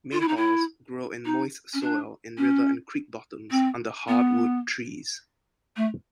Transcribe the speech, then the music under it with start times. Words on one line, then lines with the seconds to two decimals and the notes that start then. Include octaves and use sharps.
Mayhaws grow in moist soil in river and creek bottoms under hardwood trees.
0.12 F4
0.20 E4
0.28 D#4
0.37 E4
1.25 D#4
1.74 C#4
1.81 D4
2.37 C#4
3.51 C4
4.08 B3
5.76 A3